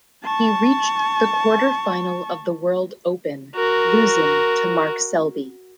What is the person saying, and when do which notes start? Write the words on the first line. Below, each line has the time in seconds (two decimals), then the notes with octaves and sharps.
He reached the quarter-final of the World Open, losing to Mark Selby.
0.24 A5 C#6
3.55 F#4 A#4